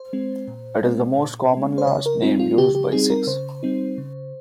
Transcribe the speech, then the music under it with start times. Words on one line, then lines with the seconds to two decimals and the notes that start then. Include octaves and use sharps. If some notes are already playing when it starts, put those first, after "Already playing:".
It is the most common last name used by Sikhs.
Already playing: C5
0.13 G#3 C4
0.48 A#2
0.83 G#3 C4
1.18 A#2
1.53 G#3 C4
1.78 C5
1.87 C#3 C#5
2.06 A#4
2.22 G3 C4 D#4 F4
2.39 F4
2.58 C#3 G4
2.75 G4
2.92 G3 C4 D#4 G#4
3.10 A#4
3.27 C#3 C5
3.63 G3 C4 D#4
3.98 C#3